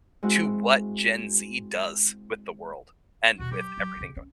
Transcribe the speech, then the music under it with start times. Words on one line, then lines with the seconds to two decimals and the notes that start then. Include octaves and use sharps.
to what Gen Z does with the world and with everything going
0.23 G#3 C4 E4 F#4
3.39 D#2 B2 F#4
3.51 F#3 G4
3.77 F#3
3.96 D2 C#3
4.16 C#4